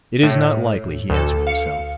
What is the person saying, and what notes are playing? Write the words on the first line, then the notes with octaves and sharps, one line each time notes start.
"It is not likely," he answered himself.
A2
D2 A4
F5 C#7